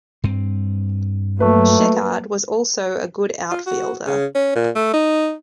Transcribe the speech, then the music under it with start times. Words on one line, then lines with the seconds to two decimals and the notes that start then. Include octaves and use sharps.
Sheckard was also a good outfielder.
0.24 G2 C4
1.40 F#3 A3 A#3 B4
3.51 F4
3.67 F#4
4.06 C#3
4.35 C#4
4.56 A#2
4.75 A3
4.94 D#4